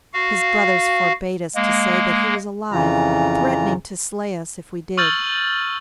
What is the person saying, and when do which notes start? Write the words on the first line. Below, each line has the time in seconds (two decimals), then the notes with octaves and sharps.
His brothers forbade us to say that he was alive, threatening to slay us if we did.'
0.14 F#4 F5
1.55 G#3 A#3
2.72 F2 C#3 E3 F4 A#5
4.97 C#6 E6 F6 G6 A6 F#7